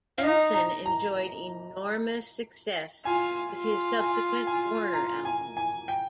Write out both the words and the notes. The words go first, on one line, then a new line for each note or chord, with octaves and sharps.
Benson enjoyed enormous success with his subsequent Warner albums.
F5
D#4 D#5
A#5
A#5
F4 G#5
F4
G#5
G#5
A#5
G#5
G#5
G5